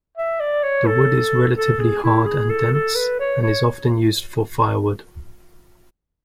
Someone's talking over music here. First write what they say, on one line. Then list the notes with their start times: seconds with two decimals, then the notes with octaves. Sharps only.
The wood is relatively hard and dense, and is often used for firewood.
0.18 E5
0.40 D5
0.63 C#5
0.86 A4
1.56 A4
1.80 G#4
2.04 E4
2.26 G#4
2.50 A4
2.73 A4
2.96 B4
3.20 C#5
3.42 C#5